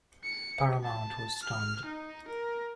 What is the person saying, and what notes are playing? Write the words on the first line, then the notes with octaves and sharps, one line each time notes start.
Paramount was stunned.
C#7
A5
F6
D#4
A#4